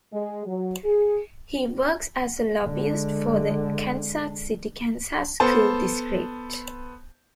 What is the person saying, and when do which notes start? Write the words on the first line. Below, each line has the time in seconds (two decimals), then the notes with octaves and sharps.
He works as a lobbyist for the Kansas City Kansas School District.
0.13 G#3
0.45 F#3
0.84 G#4
2.65 D3 G#3
5.40 B3 A4 C5 A5